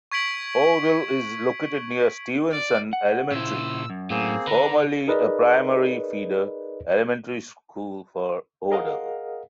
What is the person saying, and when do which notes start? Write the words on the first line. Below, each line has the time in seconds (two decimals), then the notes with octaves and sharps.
Odle is located near Stevenson Elementary, formerly a primary feeder elementary school for Odle.
0.12 C#6 G#6 B6 D7 F#7
2.52 D5
2.93 F#5
3.31 A#2 C#3 E4 C5 E6
3.90 F#2
4.10 A2 A#3 C4 G#4
4.47 D3 B4 A#5
5.07 D#4 G#4 A#4 B4 D5 D#5
8.71 G#4 A#4 D#5 F5 F#5